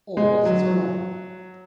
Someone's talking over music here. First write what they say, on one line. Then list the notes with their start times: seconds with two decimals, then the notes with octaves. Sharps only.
All buses are long.
0.17 G#3
0.45 F#3